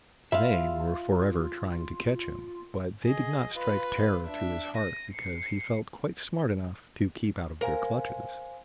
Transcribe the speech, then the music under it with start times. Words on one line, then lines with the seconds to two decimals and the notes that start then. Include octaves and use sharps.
They were forever trying to catch him, but they did not strike terror to his heart because he felt quite smart enough to keep out of their clutches.
0.32 F4 E5 F5 B5
3.03 G#4 D#5
3.55 F4 B4
4.26 D4 E5
4.77 A#6 D#7
5.13 C7 C#7
7.61 A#4 C5 F5 G#5